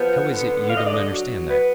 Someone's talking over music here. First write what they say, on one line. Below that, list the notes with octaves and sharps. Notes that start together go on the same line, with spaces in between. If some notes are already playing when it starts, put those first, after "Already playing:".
How is it you don't understand that?
Already playing: F3 B3
D3
D4 F5
D#5
D5
D#5
F#3
B3 B4